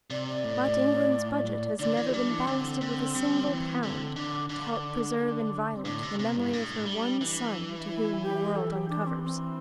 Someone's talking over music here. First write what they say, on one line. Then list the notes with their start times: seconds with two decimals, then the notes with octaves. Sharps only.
But England's Budget has never been ballasted with a single pound to help preserve inviolate the memory of her one son to whom the world uncovers.
0.10 C3 D5
0.28 D5
0.44 A2
1.79 D3 D5
1.97 E3
2.14 G3 D4
2.30 E3
2.47 D3 C4
2.81 D3
3.15 G3
3.48 E3
3.82 D3 C4
4.16 D3 D4
4.49 D3 D4
5.76 C4
5.85 A2 D4
6.03 C3
6.19 C3
6.36 G2 E4
6.53 A2 D4
6.86 G3
7.21 E3
7.88 E4
8.22 G4
8.56 A4
8.72 G4
8.89 D4
9.07 C4
9.24 C4